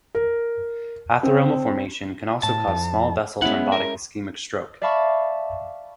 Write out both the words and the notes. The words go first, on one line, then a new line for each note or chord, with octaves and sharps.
Atheroma formation can also cause small vessel thrombotic ischemic stroke.
A#4
C4
A2 A5
F2
G#3 B3 C#4 E4 F#5
A#4
D5 E5 F5 A5 B5 C#6